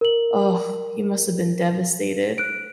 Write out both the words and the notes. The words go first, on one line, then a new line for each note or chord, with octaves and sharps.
oh, he must have been devastated.
A#4 F#7
F#6 D7